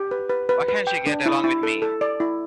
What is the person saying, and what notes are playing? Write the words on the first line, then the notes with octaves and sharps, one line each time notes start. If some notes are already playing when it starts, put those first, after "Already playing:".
Why can't she get along with me?
Already playing: G4
B4
B4
B4
B4
G5
D4
E4
E4
A4
A4
D5
E4